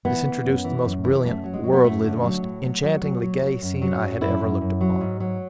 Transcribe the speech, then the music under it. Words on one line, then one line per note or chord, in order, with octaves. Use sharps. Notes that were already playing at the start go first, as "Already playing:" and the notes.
This introduced the most brilliant, worldly, the most enchantingly gay scene I had ever looked upon.
E3 B3
E3
F#2
E3
F#2
E3
F#2 A3
F#3
G#3
F#3
B3
F#2 A3
D3
F#3
A2
F#3
F#3
F#3
F#3
F#3
F#2
F#3
F#2
F#2 E4
F#2
F#2
F#3
G#2
F#3